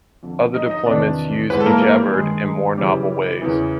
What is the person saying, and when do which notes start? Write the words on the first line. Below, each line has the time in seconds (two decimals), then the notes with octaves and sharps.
Other deployments use ejabberd in more novel ways.
0.23 F2 D3
0.54 D#4 D#5
0.70 D#4 D#5
0.86 E2 C3 D#3 D4 D5
1.50 G#2 E3 B3 B4
1.60 A4
1.66 A#3 A#4
1.81 A#3 A#4
1.98 G3 G4
2.14 G2 D#3 G#3 G#4
2.77 F#2 C#3 E3 G3 G4
3.42 E2 C#3 E3